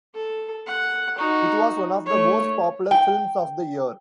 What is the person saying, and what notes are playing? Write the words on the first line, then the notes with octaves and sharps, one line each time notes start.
It was one of the most popular films of the year.
A4
F#5
D#4 F#4
A3 C#5
G5